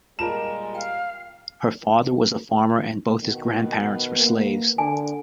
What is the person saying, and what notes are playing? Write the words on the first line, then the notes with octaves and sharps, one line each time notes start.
His father was a farmer and both his grandparents were slaves.
A#2 G3 G#3 F4 G#4 A#4 A5 E7
F5 G5
B2 D#3 B3
A#3
D3 G#5